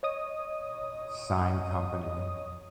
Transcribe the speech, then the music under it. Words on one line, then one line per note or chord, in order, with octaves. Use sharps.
Sign Company.
C#5 D#5 D#6